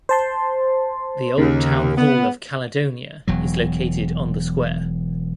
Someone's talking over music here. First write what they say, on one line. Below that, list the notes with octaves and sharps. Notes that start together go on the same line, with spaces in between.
The Old Town Hall of Caledonia is located on the square.
C5 A5 C6
D#2 C#3
B3
E1 E2 F#3